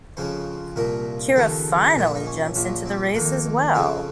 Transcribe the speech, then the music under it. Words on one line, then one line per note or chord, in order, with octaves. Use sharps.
Keira finally jumps into the race as well.
F2 C#3 F3 C5
C2 A#2 F3 A#4
D#2 C#3 F3 A4
A#1 A#2 F3
F4
D#4
C#4
A#1 A#2 F3
C4
F2 D#3 A#3
F2 C#3 F3 C4